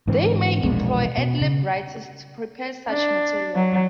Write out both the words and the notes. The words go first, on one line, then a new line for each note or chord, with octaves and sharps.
They may employ "ad-lib writers" to prepare such material.
G#2 D3 E3 C4
E1 A#1 A#2 G#3
B2
C#3
D4
F#3